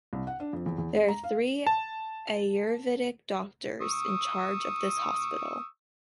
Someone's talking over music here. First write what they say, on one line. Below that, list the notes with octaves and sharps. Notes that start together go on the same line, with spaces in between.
There are three Ayurvedic doctors in charge of this hospital.
C2
F#5
D4
F2
E2
E2
G#3
A#5
F5
A5
C#6 D#6 E6